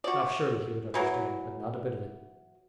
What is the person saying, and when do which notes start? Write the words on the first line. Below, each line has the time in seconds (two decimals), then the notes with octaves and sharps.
Now surely he would understand; but not a bit of it.
0.04 F#4 D5
0.94 E3 F#3 A#3